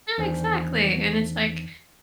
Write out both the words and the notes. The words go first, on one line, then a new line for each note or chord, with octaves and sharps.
Ah, exactly, and it's like
E2 D#3 D4 C5 G#5